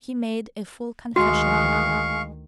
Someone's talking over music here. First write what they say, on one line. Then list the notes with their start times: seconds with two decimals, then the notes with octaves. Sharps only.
He made a full confession to her.
1.16 D2 D#3 G#3 F#4 F5 C#6